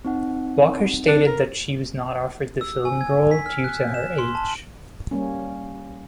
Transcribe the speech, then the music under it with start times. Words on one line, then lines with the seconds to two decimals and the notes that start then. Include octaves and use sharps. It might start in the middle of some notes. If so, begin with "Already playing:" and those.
Walker stated that she was not offered the film role due to her age.
0.05 C4 D#4 F#5
1.08 D4
1.26 A#4
2.61 E6
2.85 G#5
3.01 G#6
3.31 B6
3.46 F6
3.64 F#6
3.94 E7
4.18 C6
4.35 A5
5.11 G3 A#3 C#4